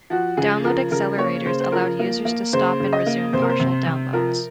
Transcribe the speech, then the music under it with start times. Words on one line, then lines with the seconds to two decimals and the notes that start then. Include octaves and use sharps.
Download accelerators allowed users to stop and resume partial downloads.
0.10 F3 F#4
0.37 C#3 G#4
0.64 F3 A#4
0.91 C#3 A#4
1.18 A#3 C#5
1.45 C#3 C5
1.61 C5
1.72 F3 A#4
1.99 A#3
2.25 A#3
2.53 C#3 C5
2.80 C#3
2.93 D#5
3.06 A#3
3.33 C3 C5
3.42 A#4
3.50 C5
3.60 C3
3.87 C3
4.13 F3 A#4